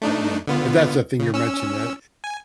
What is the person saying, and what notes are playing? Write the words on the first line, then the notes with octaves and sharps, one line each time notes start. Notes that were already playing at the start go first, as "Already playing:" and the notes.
but, yeah. If that's a thing you're mentioning, that
A3 D4 D#4
D3 B3 F4
C#3
C#4 E6
G#5